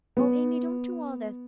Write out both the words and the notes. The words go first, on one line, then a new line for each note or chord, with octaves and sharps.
'O Amy, don't do all this.
B3